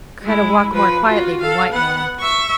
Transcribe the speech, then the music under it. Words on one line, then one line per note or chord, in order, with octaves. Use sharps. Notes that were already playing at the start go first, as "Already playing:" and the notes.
Kreta walk more quietly than white man.
G#3 E4
F3 B4
F4 F#4
A4 F5
B3 F#5
E5 C#6